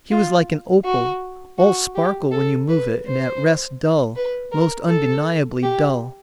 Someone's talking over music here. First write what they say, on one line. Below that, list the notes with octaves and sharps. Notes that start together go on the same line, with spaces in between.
She was like an opal--all sparkle when you move it, and at rest dull, most undeniably dull.
F4
F#4
F#4
G4
A4
B4
C5
B4
A#4
A4
G4